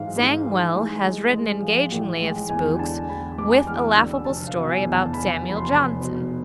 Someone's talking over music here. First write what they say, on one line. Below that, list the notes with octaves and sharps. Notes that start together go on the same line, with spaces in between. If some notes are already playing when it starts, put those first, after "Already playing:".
Zangwill has written engagingly of spooks, with a laughable story about Samuel Johnson.
Already playing: G#2 E3 F5
G#2
E3
G#3
G#3
G#3
F3
A1
G#3
E2 G#5
D3 A5
E2 B5
G#3 D6
E2 F6
D3 E6
F1 A5
F5
B2
G#5
E2
A5
E2 B5
F1 B5
C6
F1
B2